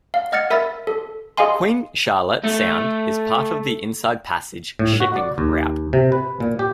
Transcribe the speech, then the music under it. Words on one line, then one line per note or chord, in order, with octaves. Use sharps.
Queen Charlotte Sound is part of the Inside Passage shipping route.
F5
D#5 F#5 F6 G#6 A6 C#7
A#4 E5 B5 E6 A6
A4
G#4 D#5 F5 G#5 C6
A3
A2
F#4
D5
D#2
C3
B4
A#2
G4